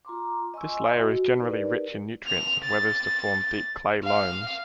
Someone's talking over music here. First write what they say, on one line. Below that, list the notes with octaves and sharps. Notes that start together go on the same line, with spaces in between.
This layer is generally rich in nutrients and weathers to form deep clay loams.
F4 A#5 C6 D6
D#5 G#5 C6 C#6 E6
F#4
D#4 G4 A#4 B4 D5
F7
A6
F5